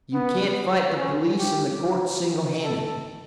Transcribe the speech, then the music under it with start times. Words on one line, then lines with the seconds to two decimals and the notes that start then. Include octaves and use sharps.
You can't fight the police and the courts single-handed.
0.14 B3
0.98 C#4
1.39 G4
2.64 A4